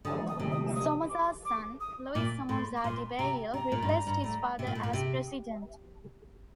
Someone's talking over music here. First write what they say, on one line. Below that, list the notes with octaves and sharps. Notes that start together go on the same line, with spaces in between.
Somoza's son, Luis Somoza Debayle, replaced his father as president.
D3 D#6
D#6
C3
D#6
D#6
D6
D6
D#6
A#2 D6
A2 C6
D6
A#2 C6
C3 A#5
C3 A#5
A#2
G2
A2
G2
A2
C3
A#2
A2
A#2
C3